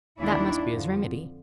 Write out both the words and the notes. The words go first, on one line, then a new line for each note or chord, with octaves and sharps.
That must be his remedy.
D#2 D#3 D4 E4
F2 D3 F3